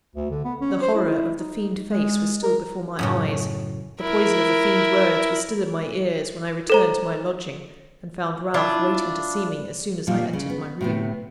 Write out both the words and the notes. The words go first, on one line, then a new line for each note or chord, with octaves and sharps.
The horror of the fiend-face was still before my eyes, the poison of the fiend-words was still in my ears, when I returned to my lodging, and found Ralph waiting to see me as soon as I entered my room.
D2
D3
B3
C#4
C5
E4
D#4
G#3
A#4
F#2 A2 C#3
E4 A#4
A4 C5 A#5
D4 E4 F4
A#2 F3 G3
C#3
B3
A2 C3 B3